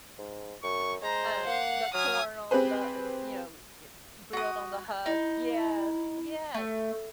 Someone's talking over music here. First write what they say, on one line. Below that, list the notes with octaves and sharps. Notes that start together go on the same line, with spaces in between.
um, the corn on the uh, you know, eh eh, grilled on the husk. Yes. Yes.
G#2
F#2 C#6
G#3 C5 A#5
A#3 F5 F#5
F#3 G#5 D#6 F6
C4 G4 G#4 B4 C5
F#4 D#6
D#4 E4
A3